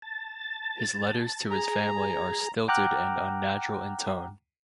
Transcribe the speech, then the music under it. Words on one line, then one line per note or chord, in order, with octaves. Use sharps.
His letters to his family are stilted and unnatural in tone.
A5
G#4 A#5
F#5 G5 A#5 D6 F6 F#6